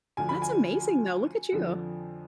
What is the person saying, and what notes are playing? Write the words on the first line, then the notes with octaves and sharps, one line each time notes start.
That's amazing, though. Look at you.
D2 D3 F3 G#5
B5
G#5
F2 D3 F3